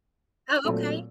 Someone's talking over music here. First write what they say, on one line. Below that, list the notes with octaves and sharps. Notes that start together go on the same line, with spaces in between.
Oh, okay.
A#2 F#3 A3 C4